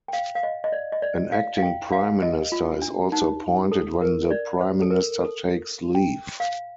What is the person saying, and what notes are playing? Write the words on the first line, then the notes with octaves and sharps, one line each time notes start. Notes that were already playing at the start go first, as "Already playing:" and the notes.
An acting Prime Minister is also appointed when the prime minister takes leave.
G5
F5
F5
D#5
D#5
D5
D#5
D5
F5
F5
G5
F5
D#5
F4
D4
D#4
A4
A#4
D5
C5
A4
A#4
A4
G5
F5